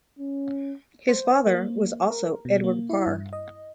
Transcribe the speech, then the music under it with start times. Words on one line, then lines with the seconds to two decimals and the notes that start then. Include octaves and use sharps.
His father was also Edward Parr.
0.19 C#4
1.09 C5
1.31 C5
1.47 A#3
2.10 A#4
2.45 B2
2.64 A#3
2.89 E4
3.06 G2
3.33 D#5